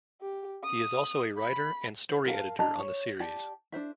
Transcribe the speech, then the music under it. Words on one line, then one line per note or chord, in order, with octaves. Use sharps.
He is also a writer and story editor on the series.
G4
D#6
B5
C5
A#4 F5 A5
D4 D#5 A5 A#5
C#5
G4 D5 A5
D4 A#4 C5 E5